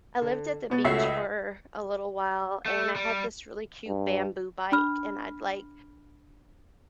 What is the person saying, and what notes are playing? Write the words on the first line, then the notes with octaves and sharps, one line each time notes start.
I lived at the beach for a little while, and I had this really cute bamboo bike, and I'd, like,
D3
B2 B3 A6
C#2 A3 C#4 F#4 E5 C7
D#5
A3
G3
G2
D4 B5 F6